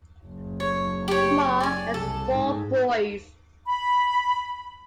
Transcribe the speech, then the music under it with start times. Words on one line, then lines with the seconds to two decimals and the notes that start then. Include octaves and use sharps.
Mohr has four boys.
0.24 F#1
0.60 C#5
1.08 G4 C#5
1.60 D5 G#5
1.94 C2 A4
2.29 G#2
3.66 B5